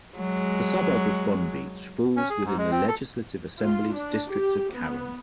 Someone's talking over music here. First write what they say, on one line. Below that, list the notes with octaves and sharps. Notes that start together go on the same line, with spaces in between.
The suburb of Bonbeach falls within the Legislative Assembly's District of Carrum.
F#3 G#3
C#4
G#4
G#2
G#3
C4
A4
F4
D4
G4
B3